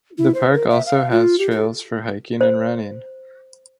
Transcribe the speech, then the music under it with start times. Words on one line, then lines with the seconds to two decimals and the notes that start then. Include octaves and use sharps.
The park also has trails for hiking and running.
0.18 E4
0.34 C5
0.53 A#4
0.70 E5
0.86 F5
1.11 F4
1.39 G4
1.51 A4
2.41 C5